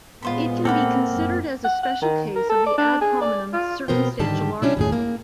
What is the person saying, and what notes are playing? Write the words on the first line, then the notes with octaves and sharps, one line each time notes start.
It can be considered as a special case of the ad hominem circumstantial argument.
A#2 G#3 B3 F4 C5 B5
A#3 C4 A4 F#5 B5
F#2
F#5
F#5
D#3
A#4
A4
D5
D4
G#4
D5
F4
B2 B3 A#4 C5 G5
G#2 D3 D#3 G3 G4 A5
C3 G3 C#4 D4 E4
D#2 A2 G#4
A#3